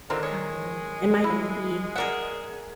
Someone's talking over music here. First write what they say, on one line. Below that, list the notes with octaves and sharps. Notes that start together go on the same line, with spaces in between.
Absolutely. It might only be
D3 D#3 C4 F4 A#4
G#3 C#5
E4
G#4 A#4 D5 E5 F#5